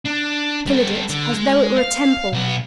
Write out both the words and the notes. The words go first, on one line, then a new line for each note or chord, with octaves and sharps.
Pillared it as though it were a temple.
D4
G3 A4
D3
G#3
F5
B1 B3